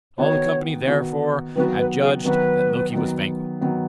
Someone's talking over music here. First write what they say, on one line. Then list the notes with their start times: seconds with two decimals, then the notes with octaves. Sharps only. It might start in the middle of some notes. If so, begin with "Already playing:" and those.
All the company therefore adjudged that Loki was vanquished.
0.18 D#3 B3 F#4 C#5
0.87 D#3 B3 F#4
1.56 D#3 F#3 B3 F#4 B4
1.78 B4
2.02 G#4
2.24 D#3 F#3 B3 F#4 B4
2.93 D#3 F#3 B3
3.61 D#3 F#3 B3